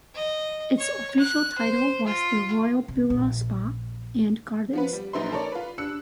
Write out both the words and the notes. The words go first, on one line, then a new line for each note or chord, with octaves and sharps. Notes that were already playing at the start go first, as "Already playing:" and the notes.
Its official title was The Royal Beulah Spa and Gardens.
D#5
C#5
F#6
C5
F4
C3
A#1
F3 B3 B4
G3
A#1 F#3 D#4 B4 E5 C6
A4 A#4 C#5 D5
F4 B4
D4 E6 F#6 C#7